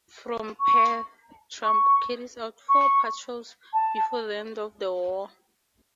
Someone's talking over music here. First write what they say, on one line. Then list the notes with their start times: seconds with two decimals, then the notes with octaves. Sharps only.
From Perth, "Trump" carried out four patrols before the end of the war.
0.60 C#6
1.64 C#6
2.69 C#6
3.73 A5